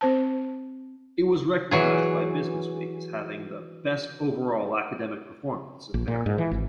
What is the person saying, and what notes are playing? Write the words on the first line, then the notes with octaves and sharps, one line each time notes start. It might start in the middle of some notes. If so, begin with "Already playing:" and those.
It was recognized by BusinessWeek as having the "Best Overall Academic Performance" in Maryland.
C4 C5 A5
E3 F#3 G#4
A#1
A#2
G#2
E3
G#1